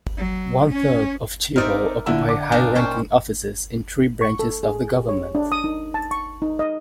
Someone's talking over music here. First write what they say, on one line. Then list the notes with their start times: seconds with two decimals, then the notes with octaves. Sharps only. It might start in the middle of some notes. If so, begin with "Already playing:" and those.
One-third of chaebol occupy high-ranking offices in three branches of the government.
0.17 F#3
0.71 C#4 C#5
1.56 C4 D#4 A#4 D5 E5
2.06 A#2 D3 E4 E6
2.29 D6
2.52 A#2 D4 D#4
2.75 C#4 C5 G5
4.21 C#6
4.39 A4
4.63 G#4
4.92 G4
5.09 C#5
5.35 D4
5.52 D#6
5.64 D#4
5.94 A5
6.11 C#6
6.42 D#4
6.59 D#5